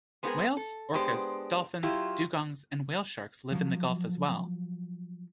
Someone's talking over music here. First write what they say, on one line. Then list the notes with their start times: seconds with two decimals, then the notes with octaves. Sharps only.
Whales, orcas, dolphins, dugongs, and whale sharks live in the gulf as well.
0.23 G#3 B3 C4 D#4 G#4 A#4
0.57 A4
0.94 G#3 B3 D4 G4 C5
1.83 F#3 E4 F4 G4
3.52 F3 F#3